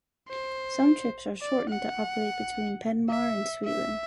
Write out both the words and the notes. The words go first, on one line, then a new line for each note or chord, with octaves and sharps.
Some trips are shortened to operate between Penn Mar and Suitland.
C5
D5
F#5
E5
E5